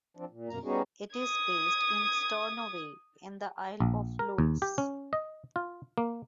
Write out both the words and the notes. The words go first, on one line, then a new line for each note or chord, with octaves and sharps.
It is based in Stornoway in the Isle of Lewis.
F3 C4 D4
A#2
F#2 B2 A#3 A#5
G3 B3 C#4 D#4 F#4 G#4
D#6 G#6
A#1
A#4
D#2
G4
C#4
D#5
F4
A#3